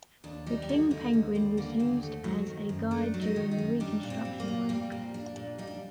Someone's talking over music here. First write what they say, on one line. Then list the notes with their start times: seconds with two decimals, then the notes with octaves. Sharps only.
The king penguin was used as a guide during the reconstruction work.
0.24 D#2 D4
0.46 G3 D#4
0.62 G4
0.69 D3 F#4
0.91 D#2 D#4
1.13 D#2
1.35 G3 C4
1.57 D3 A#3
1.80 D#2 C4
2.03 A3
2.24 F#3
2.47 D#3
2.69 F#2
2.91 A3 D4
3.14 F#3
3.21 D#4
3.36 D#3
3.51 D#4
3.58 F#2
3.80 G3 D4
4.03 A#2
4.10 C4
4.25 G3
4.40 A#3
4.48 A#2
4.69 G3 C4
4.92 A#2
5.14 G3 D4
5.36 A#2
5.58 G3 D#4
5.67 D4